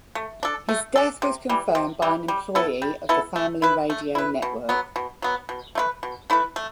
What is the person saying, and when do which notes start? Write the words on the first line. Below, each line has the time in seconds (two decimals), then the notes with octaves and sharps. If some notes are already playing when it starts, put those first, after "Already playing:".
His death was confirmed by an employee of the Family Radio Network.
0.15 A3
0.43 D4 A4
0.69 A3
0.96 D4 A4
1.22 C3
1.49 E3 G3
1.75 C3
2.02 E3 G3
2.28 G3
2.55 B3 E4 A4
2.82 G3
3.09 B3 E4 A4
3.36 A3
3.62 E4 B4
3.90 A3
4.15 E4 B4
4.42 B2
4.69 F#3 B3
4.96 B2
5.22 F#3 B3
5.49 B2
5.75 A3 E4 B4
6.03 B2
6.30 A3 E4 B4
6.56 A3